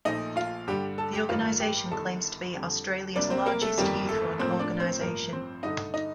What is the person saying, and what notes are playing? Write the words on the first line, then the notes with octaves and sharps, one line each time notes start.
The organisation claims to be Australia's largest youth-run organisation.
A#1 A#2 F3 A3 D#4 D#5
F4 F5
G2 D3 G3 G4 G5
A4 A5
G4 G5
A1 G2 D#3 A#3 F4 F5
G4 G5
G1 G2 D#3 A4 A5
F2 D3 G3
C2 C3 G3 A#3 D4 D5
C4 C5
A#3 A#4
A3 A4
G1 F2 D#3 G3 A#3 G4
A3 A4
A1 A2 F3 A#3 C4 C5
D4 D5
C4 C5
A1 G2 F3 A#3 A#4
C4 C5
G2 D3 A3 D#4 D#5
D#4 D#5